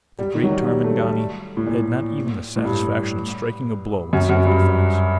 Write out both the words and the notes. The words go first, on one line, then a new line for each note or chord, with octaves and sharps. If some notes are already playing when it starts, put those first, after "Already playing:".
The great Tarmangani had not even the satisfaction of striking a blow in self-defense.
G3
D#3
F#3
G3
G3
A3
G3
A2
A#2
A2
G2
F#2
F#2
G2